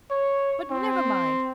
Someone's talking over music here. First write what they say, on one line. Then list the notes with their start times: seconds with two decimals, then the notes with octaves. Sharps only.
But never mind.
0.11 C#5
0.71 C4